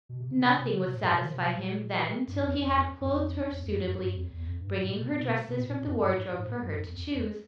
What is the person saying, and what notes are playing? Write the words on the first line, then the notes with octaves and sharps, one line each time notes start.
Nothing would satisfy him then till he had clothed her suitably, bringing her dresses from the wardrobe for her to choose.
B2
C3
C#3
C3
C3
C#3
C3
A#2
G#2
C3
D#3
C3
B2
A#2
G2
F2
E2
F2
F#2
F2
E2
F2
F#2
F#2
G2
F2
E2
F2
G2
G#2
A#2
B2
A#2
B2
B2
B2
A#2
A#2
F#2
G2
G#2
G#2
A2
G2
F#2
E2
F2
F2